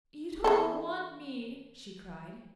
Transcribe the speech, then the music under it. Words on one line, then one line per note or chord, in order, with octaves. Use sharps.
"You don't want me!" she cried.
E3 G#4 A4